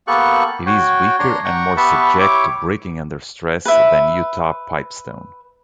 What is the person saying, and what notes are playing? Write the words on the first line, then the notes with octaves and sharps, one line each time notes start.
It is weaker and more subject to breaking under stress than Utah pipestone.
A#3 B3 G4 A4 C#6 F#6
F#4 C#5 G5
D4 C#5 A#5 C6
F#5 G5 A#5 C#6
B3 G4 B4 E5 A5 C#6
E4 G4 C#5 D6
B4 E5